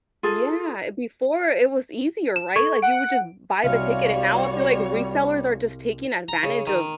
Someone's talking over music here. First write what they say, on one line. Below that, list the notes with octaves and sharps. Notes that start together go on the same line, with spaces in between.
Yeah, eh, before it was easier, right? Like, you would just buy the ticket, and now I feel like resellers are just taking advantage of
F4 G#4 A4
E7
A4 C#6 G#6
F#5 D7
C2 G3 C4 F#4 C#5 D#5 F5
A#5
C#3
D#3